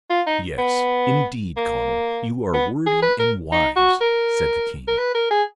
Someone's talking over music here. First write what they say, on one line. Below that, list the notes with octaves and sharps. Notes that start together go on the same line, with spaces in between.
"Yes, indeed, Conall, you are wordy and wise," said the king.
F4
D#4
B3
A#3
B3
G#4
B4
A#4
D#4
F#4
A#4
A#4
B4
A#4
G#4